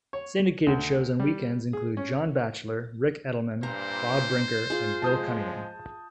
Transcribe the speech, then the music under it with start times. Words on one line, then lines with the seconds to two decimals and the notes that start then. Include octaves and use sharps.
Syndicated shows on weekends include John Batchelor, Ric Edelman, Bob Brinker and Bill Cunningham.
0.13 C#5
0.67 D2
1.20 G3
1.73 G#4
1.97 C#4
3.63 G2 A#2 C5 A#5
4.70 F4 G#4
5.02 F3 G#3 A5 D#6 G6